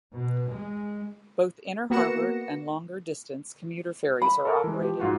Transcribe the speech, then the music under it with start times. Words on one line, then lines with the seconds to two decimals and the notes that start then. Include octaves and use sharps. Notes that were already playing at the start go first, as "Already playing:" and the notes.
Both inner harbor and longer distance commuter ferries are operated.
0.11 B2
0.50 G#3
1.90 A#3 B3 F#4 A#6 C#7 E7
4.22 B5
4.45 A4 A#4
4.64 E3 G#3
4.80 F3 G4
5.00 G#2 F4 F#4